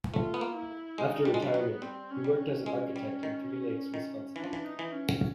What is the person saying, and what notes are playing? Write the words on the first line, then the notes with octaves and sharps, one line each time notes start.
After retirement he worked as an architect in Three Lakes, Wisconsin.
A3 F4
B3
A#3
E4
G#3 D#4
G3 D4
G#3
G3
F#3 B3
G3 C4
C#4
G3
C#4
G#3
G3
D#3
D#3
E3 D4
F3
E3
D#4
E3
C#4